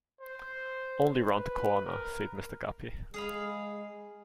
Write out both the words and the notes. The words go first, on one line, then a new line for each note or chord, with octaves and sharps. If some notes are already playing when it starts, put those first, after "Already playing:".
"Only round the corner," said Mr. Guppy.
C5
B4
A#4
G#3 G#4 F5 B5